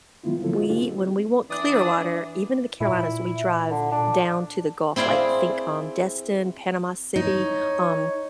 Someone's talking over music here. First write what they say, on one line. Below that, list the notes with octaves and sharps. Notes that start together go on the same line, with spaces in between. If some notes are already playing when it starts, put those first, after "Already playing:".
we when we want clear water, even in the Carolinas, we drive down to the Gulf, like, think, um, Destin, Panama City, um
D#3 F#3 G#3 B3 E4 F4
D3 F#3 A#3 E4 A4
D#4 F4 F#4 C5 D#5
G3 A3 D4 F4 G4 G#4
C4
E3 D4 D5 D#6
A#2 E4
D3
D4
C4 E4 G#4 D5 F5
D#4 C#5